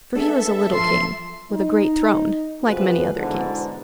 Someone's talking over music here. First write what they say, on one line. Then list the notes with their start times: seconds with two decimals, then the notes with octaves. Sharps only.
For he was a little king with a great throne, like many other kings.
0.15 B3 D4 G#4 A4 E5
0.73 F3 C6
1.52 D#4
2.67 C3 F3 F4 F#4 G#4 B4
3.17 G#2 B2 D3 E3 D4